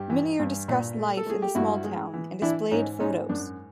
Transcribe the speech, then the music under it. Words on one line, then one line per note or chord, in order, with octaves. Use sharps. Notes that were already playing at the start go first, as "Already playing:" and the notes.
Minnier discussed life in the small town and displayed photos.
Already playing: G2 G4
E3
G2
A#2
A3
A4
A3 G#4
G4
G2 E4 F#4
G#3
E3
E3 D4 E4
G#2 C#4 D#4
G#2 C#4 D#4
F#2 D4